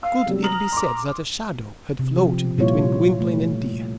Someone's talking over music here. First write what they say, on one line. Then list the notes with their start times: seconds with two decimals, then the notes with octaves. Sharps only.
Could it be said that a shadow had floated between Gwynplaine and Dea?
0.03 F5 E6
0.26 C3 F#3 G3
0.43 A#5 D#6 F6 F#7
0.72 C6 D6
1.99 C3
2.16 F3 G4
2.58 A#2 F3 G3 E4 F4 C#5
3.20 A3